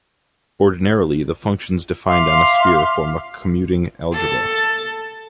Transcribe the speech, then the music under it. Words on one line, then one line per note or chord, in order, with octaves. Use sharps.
Ordinarily, the functions defined on a sphere form a commuting algebra.
E5 F5 C6 D6
A4